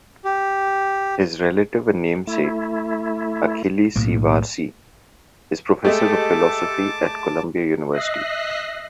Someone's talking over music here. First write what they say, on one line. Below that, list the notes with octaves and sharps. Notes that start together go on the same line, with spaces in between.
His relative and namesake, Achille C. Varzi, is Professor of Philosophy at Columbia University.
G4
A3 E4
B1 A2 A#3
G#3 A3 G4 A4 D#5 A5 D6
D#5 E5 F#6 A#6 C7